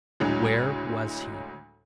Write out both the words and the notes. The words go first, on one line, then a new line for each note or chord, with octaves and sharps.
Where was he?
D2 A2 D3 F#3 G#3